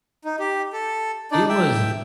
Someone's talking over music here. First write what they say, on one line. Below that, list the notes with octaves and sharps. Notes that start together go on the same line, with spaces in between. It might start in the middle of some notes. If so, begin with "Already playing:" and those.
it was
D#4
G4
A4
D4 D#4 D5
E5 G5